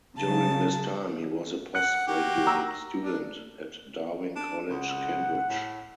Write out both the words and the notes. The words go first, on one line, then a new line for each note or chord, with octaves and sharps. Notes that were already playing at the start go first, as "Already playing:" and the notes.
During this time he was a postgraduate student at Darwin College, Cambridge.
C#3 F#3 A5
F#5 F#6 C#7
A#3 F#4 G4
A#5 E6
D4
D4
C#2 F#5
A2